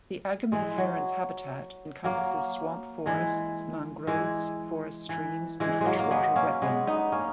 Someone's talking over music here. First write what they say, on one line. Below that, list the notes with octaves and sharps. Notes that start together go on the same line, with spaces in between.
The agami heron's habitat encompasses swamp forests, mangroves, forest streams and freshwater wetlands.
E3 G#3
F#3
F#3 A#3
E3 G#3
E3 G#3
E3
E3 G#3
F#3 G#3 A#3
A#3
G#3 B3
A#3 C#4
G#3 B3
B3 D#4
A#3 C#4